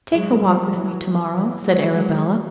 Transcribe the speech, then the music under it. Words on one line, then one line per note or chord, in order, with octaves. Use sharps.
"Take a walk with me to-morrow," said Arabella.
F#3 G#3
F3 G3
E3 F#3
E3 F#3
F#3 G#3
F#3 G#3